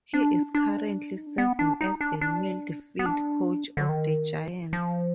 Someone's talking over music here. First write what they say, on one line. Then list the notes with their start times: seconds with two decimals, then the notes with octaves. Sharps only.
He is currently serving as the midfield coach of the Giants.
0.14 D4
0.55 D4
1.15 D#4
1.26 D4
1.38 B3
1.59 D4
1.81 D#4
2.01 D4
2.21 D4
2.99 B3
3.06 D4
3.77 D3
3.89 D#3
4.73 F3